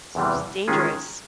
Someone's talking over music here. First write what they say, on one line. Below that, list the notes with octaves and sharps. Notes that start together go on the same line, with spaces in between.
S dangerous.
E2 C3 E3 G3
D#3 G#3 C#4 F4 G#4